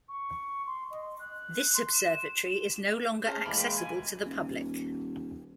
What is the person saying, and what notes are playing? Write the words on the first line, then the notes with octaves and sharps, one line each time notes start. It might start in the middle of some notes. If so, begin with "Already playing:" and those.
This observatory is no longer accessible to the public.
C#6
C6
D#5
F#6
C6
E7
C#4 G#4 C5 C#5 A5 A#5 F6
G#1 D2 E3 G#3 A#3 B5 D6
B4 G5
G#5
D#1